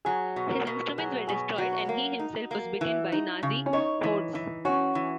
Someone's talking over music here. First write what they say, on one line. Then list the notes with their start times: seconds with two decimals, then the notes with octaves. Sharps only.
His instruments were destroyed and he himself was beaten by Nazi hordes.
0.05 F#3 G#4
0.36 B2
0.52 A#4
0.67 B2
0.98 F#3 G#4
1.27 B2 G#4
1.58 F#3 F#4
1.89 A#3
2.19 D#4
2.51 A#3
2.81 E3
3.12 D#4
3.43 C#3
3.66 C#4
3.73 D#4 C#5
4.03 E3
4.35 E3
4.65 C#4 F#4
4.95 E3